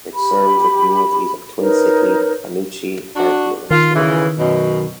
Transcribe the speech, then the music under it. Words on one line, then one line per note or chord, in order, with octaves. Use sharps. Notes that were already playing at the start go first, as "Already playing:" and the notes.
It serves the communities of Twin City, Canoochee, Garfield, and Stillmore.
G4 B5
D#4 A#4 B4 C#5
D4 F#4
D#3 F4
C#3 E3
F#2 B2